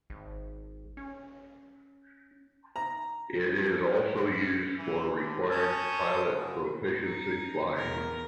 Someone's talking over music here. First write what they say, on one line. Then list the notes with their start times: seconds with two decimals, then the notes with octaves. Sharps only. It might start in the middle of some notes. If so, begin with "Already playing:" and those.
It is also used for required pilot proficiency flying.
0.10 G#1
0.97 C#4
2.76 A#5
4.78 E3
5.14 D3
5.51 C#4 A5 D#6 G6
6.36 C#3 F#4
6.99 D#4
7.76 E2 B3 A#4